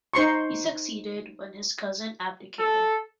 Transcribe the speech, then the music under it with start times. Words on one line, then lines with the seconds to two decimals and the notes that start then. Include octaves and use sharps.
He succeeded when his cousin abdicated.
0.14 D#4 C5 C6 C#6
2.59 A4